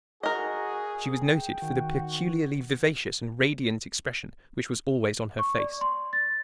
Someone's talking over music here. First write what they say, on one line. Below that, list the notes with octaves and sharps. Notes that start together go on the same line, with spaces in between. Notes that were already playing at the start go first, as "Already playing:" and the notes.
She was noted for the peculiarly vivacious and radiant expression which was always on her face.
F#4 G#4 A#4 D#5
G5
D#3 F#4
C#6
D5
C6
A6